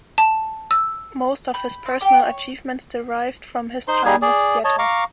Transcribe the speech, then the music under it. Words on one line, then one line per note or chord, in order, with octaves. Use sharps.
Most of his personal achievements derived from his time with Seattle.
A5
E6
B5 G6
C4
G4 G5 D6
C#5
D#4 C5 C6
G3 D#4 G#4 G#5
G#4 D5
C#5 D#5 A5
F5 A#5 C#6 D6